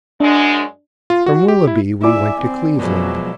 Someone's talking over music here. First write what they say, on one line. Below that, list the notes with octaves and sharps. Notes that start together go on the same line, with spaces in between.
From Willoughby we went to Cleveland.
F#2 G#3 D4
F4
F#4
G4
E4
E4 D5 E5 G#5 B5
C4
B2 F3 F#3 G#3 E5